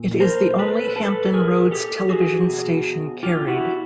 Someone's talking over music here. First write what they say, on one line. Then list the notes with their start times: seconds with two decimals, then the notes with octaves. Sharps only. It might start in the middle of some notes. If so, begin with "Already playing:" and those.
It is the only Hampton Roads television station carried.
Already playing: A#2
0.20 A#4 C5
0.58 A4 B4
0.96 A4 B4
1.34 G#4 A#4
1.71 G4 A4
2.09 F#4 G#4
2.48 B2
3.23 F4 G4
3.47 E4 F#4